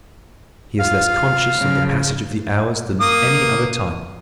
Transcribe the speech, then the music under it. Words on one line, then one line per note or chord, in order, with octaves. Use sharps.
He is less conscious of the passage of the hours than any other type.
F4 F5
F#2 C#3 F3
A#3 D#6